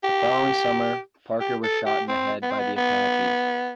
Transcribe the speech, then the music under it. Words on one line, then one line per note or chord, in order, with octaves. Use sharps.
The following summer, Parker was shot in the head by the Apaches.
G4
G4
A4
G4
C4
B3
C4
B3
B3